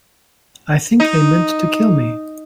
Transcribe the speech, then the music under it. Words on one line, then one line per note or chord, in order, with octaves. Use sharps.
I think they meant to kill me.
D#4